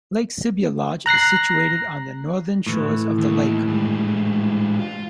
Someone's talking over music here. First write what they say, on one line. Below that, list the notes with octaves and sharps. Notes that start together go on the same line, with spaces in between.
Lake Sibaya Lodge is situated on the northern shores of the lake.
A#5 F#6 A#6 C7
A2 E3
D#2
G#2 G3
F4